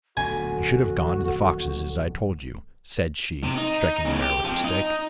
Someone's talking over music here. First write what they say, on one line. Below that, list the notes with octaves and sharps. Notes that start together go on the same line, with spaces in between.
'You should have gone to the foxes, as I told you,' said she, striking the mare with a stick.
D1 A#1 B2 F#4 A4 G#5
C3
D#4
E2 C#3
G4
F3 C4
D#4